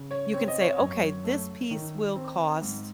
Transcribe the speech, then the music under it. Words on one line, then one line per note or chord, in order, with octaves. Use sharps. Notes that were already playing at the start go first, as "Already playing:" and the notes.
You can say, "Okay, this piece will cost
Already playing: C#3
C#5
C4 C#5
D#5
C#5
F#2
A3
D#3
C4
G#2